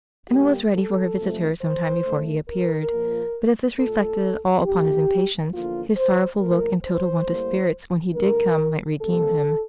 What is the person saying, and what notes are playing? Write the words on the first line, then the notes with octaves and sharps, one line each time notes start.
Emma was ready for her visitor some time before he appeared; but if this reflected at all upon his impatience, his sorrowful look and total want of spirits when he did come might redeem him.
G2 D3 G3 A#3 G4
A4
F2 C3 F3 A3
C5
E2 D3 A3
A#4
A#2 F3 A#3
A#2 A3 A4
F2 D3 A3 G4
E2 D3 F3 A#3 F4
C5
A#2 F3 A3 A#4
C5
A2 G3 A#3
G2 D3 A3 A#4
C3 G3 A#3 A4